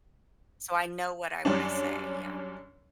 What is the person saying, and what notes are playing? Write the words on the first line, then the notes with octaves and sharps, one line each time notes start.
so I know what I wanna say, yeah.
F#2 G3 C#4 D4